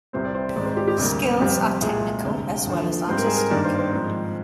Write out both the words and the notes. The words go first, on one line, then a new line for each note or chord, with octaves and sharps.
Skills are technical as well as artistic.
C2 C3 G3 C4 C5
D5
C5
G#2 D#3 G#3 C4 D5
C5
G4
G4
D2 C3 G3 A#3
F2 C3 G3 C4
C2 A#2 G#3 G#4
D2 C3 G3
D#2 D3 F3
G#2 G3 C4 C5
A#4
G#4
A#4
G2 D#3 A#3 D5
C5
C5
G#2 F3 C4